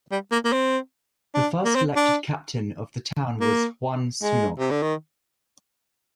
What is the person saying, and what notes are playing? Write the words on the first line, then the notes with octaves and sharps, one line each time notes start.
The first elected Captain of the town was Juan Sunog.
G3
A#3
A#3
C4
D4
A#3
C4
D4
A#3
G#3
C3
D3
D#3